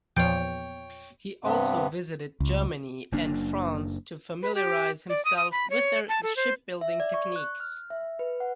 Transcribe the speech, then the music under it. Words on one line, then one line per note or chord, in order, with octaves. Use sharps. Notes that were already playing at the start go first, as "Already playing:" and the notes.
He also visited Germany and France to familiarize himself with their shipbuilding techniques.
E2 A#2 F3 C#5 G5
G2 C3 B3
C#2
F#1 F#2 A#3 D4
B4
G4
D5
D#6
D#6
B5
C#5
A5
A4
C5
E5
D5
C#6
F#6
F6
E5
B4
F#5